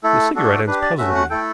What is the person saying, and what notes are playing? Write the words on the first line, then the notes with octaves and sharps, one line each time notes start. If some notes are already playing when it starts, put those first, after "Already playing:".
The cigarette-ends puzzled me.
A3 E4 A4
A3 D4 F#4 A4
D4 G4 B4
D5
A3 C#4 F#4 E5
F#5
A3 E4 A4 G5